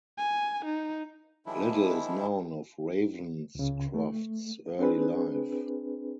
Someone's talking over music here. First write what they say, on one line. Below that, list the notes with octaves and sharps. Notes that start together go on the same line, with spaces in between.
Little is known of Ravenscroft's early life.
G#5
D#4
D#3 F3 G3 G#3 D4 E4
C#2 C#3
A3
C4 D4 G#4 B4